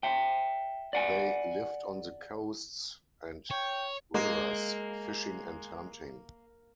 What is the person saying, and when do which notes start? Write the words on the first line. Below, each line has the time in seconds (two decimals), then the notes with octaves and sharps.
They lived on the coasts and rivers, fishing and hunting.
0.03 E5 G5
0.93 D5 F#5 G#5
3.51 C#5 G5
4.14 G#3 A#3